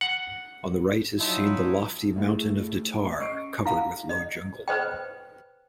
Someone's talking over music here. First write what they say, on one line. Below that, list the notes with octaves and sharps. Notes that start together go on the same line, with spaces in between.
On the right is seen the lofty mountain of Datar, covered with low jungle.
F#5
F3 F#3 D#4 E4
A3 E4 G#4
C#4 D#5 C#6 C7 D7
E4 F5
D#5
B4 C5 D#5 G5